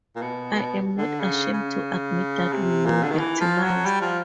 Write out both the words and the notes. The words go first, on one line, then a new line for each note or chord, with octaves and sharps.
I am not ashamed to admit that we were victimized.
A#2
B2
B2
D3
C#3
C#3
C3
A#2
D3
D#3
E3
F3
F#3
G3
F3